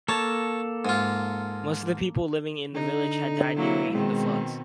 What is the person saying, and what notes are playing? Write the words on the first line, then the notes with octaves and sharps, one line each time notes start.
Most of the people living in the village had died during the floods.
A#3 A4 C#5 A5
G#2 F4
D3 D#4
F#3 A#3 E4
B2 D#3 G#3 C4